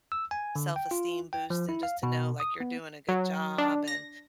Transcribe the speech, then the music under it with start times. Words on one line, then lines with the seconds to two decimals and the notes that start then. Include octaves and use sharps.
self-esteem boost and just to know, like, you're doing a good job and
0.12 E6
0.31 G#5
0.56 D3
0.76 G5
0.91 F4
1.33 G5
1.50 F3
1.69 E4
1.83 F5
2.03 B2
2.40 D#6
2.60 B3
3.09 F#3
3.58 D4
3.88 A#6